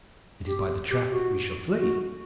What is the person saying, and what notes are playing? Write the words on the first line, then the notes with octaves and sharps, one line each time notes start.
It is by the trap that we shall flee.
G4
G4
F#4
F#4